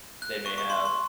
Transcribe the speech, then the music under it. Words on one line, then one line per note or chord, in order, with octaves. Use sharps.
they may have,
F#6
C#6
C#6
C6
C6